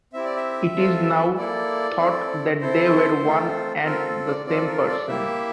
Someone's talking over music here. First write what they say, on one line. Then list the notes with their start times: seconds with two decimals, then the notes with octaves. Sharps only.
It is now thought that they were one and the same person.
0.13 C4 E4 G4 E5
0.25 D5
0.36 E5
0.75 C4 F4 A4
1.37 A#3 E4 A4 D5
1.99 C4 E4 A4
2.61 C4 E4 A4 C5
3.23 A3 C4 F4 A4
3.84 C4 F4 A4 A#4
4.26 D5
4.46 C4 F4 A4 D5
4.68 A#4
4.88 D5
5.08 A#3 E4 G4 E5